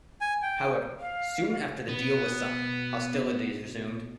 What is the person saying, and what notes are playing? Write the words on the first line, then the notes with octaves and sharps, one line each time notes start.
However, soon after the deal was signed, hostilities resumed.
G#5
G5
F5
B2 B3